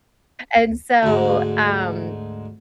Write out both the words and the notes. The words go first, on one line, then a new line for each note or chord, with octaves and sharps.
And so, um,
D2 G#2